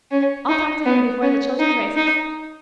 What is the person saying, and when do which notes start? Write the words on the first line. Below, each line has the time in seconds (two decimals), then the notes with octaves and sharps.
I'll talk to him before the children's races.
0.11 C#4
0.49 D#4
0.85 B3
1.22 C#4
1.59 D#4
1.97 D#4